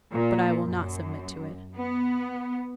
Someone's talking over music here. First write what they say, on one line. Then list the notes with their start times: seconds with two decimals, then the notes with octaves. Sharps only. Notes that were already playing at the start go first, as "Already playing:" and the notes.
But I will not submit to it.
0.13 A#2
0.63 F#2
1.77 B3